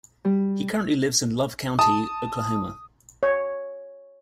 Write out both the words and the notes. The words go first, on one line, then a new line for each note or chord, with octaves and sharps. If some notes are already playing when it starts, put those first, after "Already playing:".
He currently lives in Love County, Oklahoma.
G3
A5 D#6
C#5